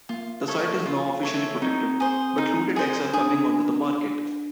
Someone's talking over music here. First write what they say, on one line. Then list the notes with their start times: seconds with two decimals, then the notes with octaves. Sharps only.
The site is now officially protected, but looted eggs are coming onto the market.
0.09 A#3 F4
0.48 A4 C#5 E5
0.86 F4
1.23 A4 C#5 E5
1.62 C4 D#4
2.00 G#4 C5
2.38 D#4
2.76 G#4 C5
3.14 D4 G#4